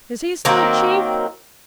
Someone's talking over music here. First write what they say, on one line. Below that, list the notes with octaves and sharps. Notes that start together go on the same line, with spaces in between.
"Is he still chief?"
D#3 F#3 A#3 C4